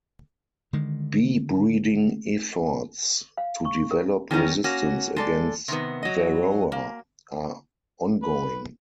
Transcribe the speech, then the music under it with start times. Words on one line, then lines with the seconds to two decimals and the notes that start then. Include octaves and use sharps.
Bee-breeding efforts to develop resistance against "Varroa" are ongoing.
0.73 D3 D#3 G#3
3.37 F5
3.65 C#6
3.91 A#4
4.31 D#3 G3 B3 C#4 A#4
4.64 A#3 C#4 F#4
5.16 G#3 A4 D5
5.68 C3 D#3 B3
6.03 F#3 D#5
6.72 A#3
8.22 B4